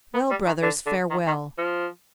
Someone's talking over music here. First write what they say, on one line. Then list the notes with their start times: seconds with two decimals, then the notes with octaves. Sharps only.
'Well, brothers, farewell!
0.14 B3
0.30 G3
0.46 D#3
0.62 D3
0.86 D3
1.10 D#3
1.26 D#3
1.58 F3